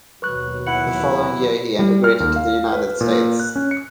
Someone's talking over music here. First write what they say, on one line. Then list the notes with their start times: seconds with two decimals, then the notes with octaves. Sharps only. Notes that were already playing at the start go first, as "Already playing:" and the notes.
The following year he emigrated to the United States.
0.22 D#2 B2 F#3 B4 C#6 F#6
0.66 E4 F#5
1.79 G3
2.04 F6
2.20 D#2
2.36 F5
2.73 B4
3.01 A#2
3.40 F#6
3.56 C#4
3.71 C#7